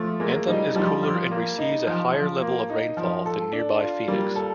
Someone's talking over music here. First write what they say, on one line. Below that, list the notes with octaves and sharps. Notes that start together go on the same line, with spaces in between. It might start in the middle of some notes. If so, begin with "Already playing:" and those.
Anthem is cooler and receives a higher level of rainfall than nearby Phoenix.
Already playing: F3 A3
G#3 A#3
G3 D#4
F3 G3
F3
A#3
D#4
F3
F3
A#3
D#4
F3
A4
D4
F4
G3 A#3
A4